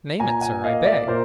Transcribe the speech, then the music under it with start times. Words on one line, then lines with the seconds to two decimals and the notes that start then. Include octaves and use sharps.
"Name it, sir, I beg."
0.20 A#2 G#5 A#5
0.41 F#5 G#5
0.64 A#3 D#5 F5
0.85 D5 E5
1.07 A#2 A#4 C5